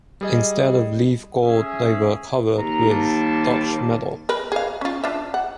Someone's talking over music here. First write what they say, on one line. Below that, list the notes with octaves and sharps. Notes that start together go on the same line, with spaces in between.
Instead of leaf gold they were covered with Dutch metal.
G3 G#4 D#5
C#4 G#4 E5
D#2 A#5
G3 A#3 A5
A#4 B4
G#4 F5
C#4 F4
D4 F4 E5
F#5